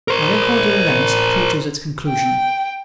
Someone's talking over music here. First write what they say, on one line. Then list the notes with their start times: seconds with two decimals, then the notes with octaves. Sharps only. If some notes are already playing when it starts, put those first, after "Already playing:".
MY record of events approaches its conclusion.
0.08 A#4 C5
2.08 G5